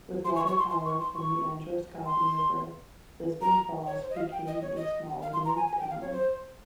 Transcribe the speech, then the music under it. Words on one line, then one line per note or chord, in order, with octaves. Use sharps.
With water power from the Androscoggin River, Lisbon Falls became a small mill town.
C6
C#6
C#6
C6
C6
C#6
C6
C#6
C6
A#5
C#5
C5
D#5
F5
G5
D#5
C#5
D#5
F5
C6
A#5
G#5
G#5
G5
F5
C#5
C5